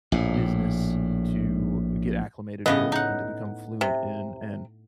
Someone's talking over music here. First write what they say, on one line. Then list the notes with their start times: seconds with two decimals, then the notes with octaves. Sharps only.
business to get acclimated with and to become fluent in. And,
0.12 A#1 A2
2.66 A2 C#3 B3 D#5
2.92 D#4 F#5
3.81 C3